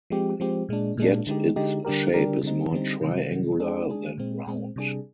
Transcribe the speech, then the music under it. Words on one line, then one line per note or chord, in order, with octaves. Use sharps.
Yet its shape is more triangular than round.
F3 G#3 C4 G4
F3 G#3 C4 G4
A#2 G#3 D4
A#2 G#3 D4
D3 G#3 D#4 G4
D3 G#3 D#4 G4
D3 G3 D4 G4 A#4
D3 G3 D4 G4 A#4
D3 G3 C4 D#4
D3 G3 C4 D#4
C3 D#3 G3
C3 D#3 G3
G#3 D4 G#4
G#3 D4 G#4
A#2 G#3 C4
A#2 G#3 C4
C3 G3 D4 G#4